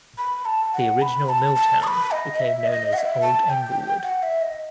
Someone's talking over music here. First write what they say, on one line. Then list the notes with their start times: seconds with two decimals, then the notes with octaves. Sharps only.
The original milltown became known as "Old Englewood".
0.18 B5
0.45 A5
0.74 F#5
1.01 B5
1.29 A5
1.56 A5
1.84 D#6
1.87 B5
2.11 D#5
2.39 E5
2.66 D#5
2.93 F#5
2.98 E5
3.22 A5
3.50 G5
4.04 F#5
4.23 E5
4.41 D#5